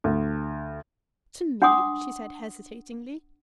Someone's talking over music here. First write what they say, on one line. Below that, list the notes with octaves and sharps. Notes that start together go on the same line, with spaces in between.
"To me?" she said, hesitatingly.
D2
D4 F#5 C6 D6 D#6